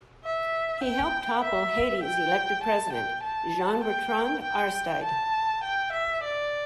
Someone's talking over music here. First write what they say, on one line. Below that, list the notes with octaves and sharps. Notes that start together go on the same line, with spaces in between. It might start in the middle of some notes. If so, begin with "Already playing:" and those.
He helped topple Haiti's elected president, Jean-Bertrand Aristide.
E5
G5
E5
G5
A5
G5
A5
G5
G5
A5
G5
E5
D5